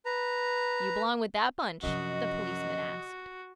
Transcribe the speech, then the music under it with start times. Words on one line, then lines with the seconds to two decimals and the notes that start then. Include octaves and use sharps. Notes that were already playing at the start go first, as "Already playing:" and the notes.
"Do you belong with that bunch?" the policeman asked.
0.06 B4 A#5
1.83 F#2 C3 F3 F#4 D#5